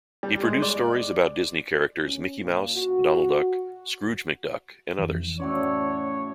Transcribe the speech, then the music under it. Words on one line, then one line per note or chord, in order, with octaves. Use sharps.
He produced stories about Disney characters Mickey Mouse, Donald Duck, Scrooge McDuck and others.
G3
G#3
D5
C#4
A#2
F#4
F2 E3
A2 C#4 F#4 C#5 D5